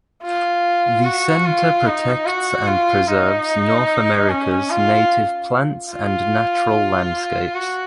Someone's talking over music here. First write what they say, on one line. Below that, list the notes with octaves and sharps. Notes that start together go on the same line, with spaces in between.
The center protects and preserves North America's native plants and natural landscapes.
F4
F#4
F4
D#4
F#4
F4
D#4
C#4
F4
F4
F#4